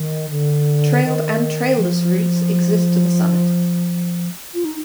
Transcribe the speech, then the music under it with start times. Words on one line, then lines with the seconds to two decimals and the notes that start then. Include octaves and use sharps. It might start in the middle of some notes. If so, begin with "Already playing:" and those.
Trailed and trailless routes exist to the summit.
Already playing: D#3
0.30 D3
1.04 D#3
1.78 F3
4.54 F4
4.65 D#4